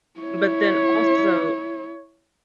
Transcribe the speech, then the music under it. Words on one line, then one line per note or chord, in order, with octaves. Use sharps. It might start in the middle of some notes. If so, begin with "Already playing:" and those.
But then also
E4 C#5